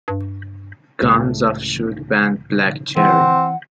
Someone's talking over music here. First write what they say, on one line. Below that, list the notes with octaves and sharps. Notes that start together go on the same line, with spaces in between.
Guns offshoot band Black Cherry.
G2
C#2 A2
E3 C4 F#5